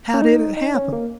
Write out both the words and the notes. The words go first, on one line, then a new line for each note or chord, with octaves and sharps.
"How did it happen?"
C#4
D#4
D#4
C#4
A#3